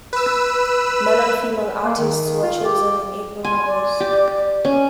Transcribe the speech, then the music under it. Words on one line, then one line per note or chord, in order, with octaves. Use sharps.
Male and female artists were chosen in equal numbers.
B4 E6
A#3
D#3
F4
G4
G#5 C6
D5
G4
C#4